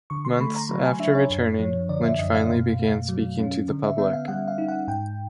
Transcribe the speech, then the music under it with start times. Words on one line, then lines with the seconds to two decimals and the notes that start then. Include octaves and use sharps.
Months after returning, Lynch finally began speaking to the public.
0.10 D3 C#6
0.25 C6
0.39 A3 B5
0.56 A#5
0.69 F#3
0.85 G#5
0.99 D4 E5
1.15 C#5
1.30 F#2
1.59 F3
1.89 D3 D5
2.04 E5
2.19 F#2 D#5
2.34 F5
2.50 B2
2.79 A3
3.09 F#3
3.39 C#4
3.68 D3
3.83 E5
3.98 B3 E5
4.13 F5
4.28 G3 F#5
4.48 F5
4.58 D#4
4.68 F#5
4.88 G#2 G5